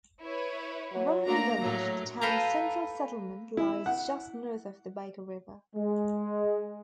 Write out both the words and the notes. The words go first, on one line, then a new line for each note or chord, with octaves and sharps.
Rumney village, the town's central settlement, lies just north of the Baker River.
E4 B4 C#5
F#3
A3 A#3 D4 A#5
A2 F#3 A3
A4 B4 F5 G5 G#5 A#5
E4
F#5
G#3